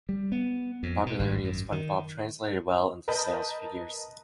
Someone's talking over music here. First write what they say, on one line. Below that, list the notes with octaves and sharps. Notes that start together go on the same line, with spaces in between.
The popularity of SpongeBob translated well into sales figures.
G3
B3
F2
B2
G#1
F#2
D#3
A#4 B4 D#5 A5 B5 G6